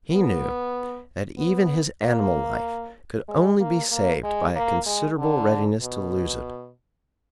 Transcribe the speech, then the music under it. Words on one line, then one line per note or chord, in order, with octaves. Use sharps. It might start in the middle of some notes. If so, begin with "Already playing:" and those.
He knew that even his animal life could only be saved by a considerable readiness to lose it.
B3
B3
A#3
G#3
A#3
A#3
G#3
A#3
G#3
D3
B2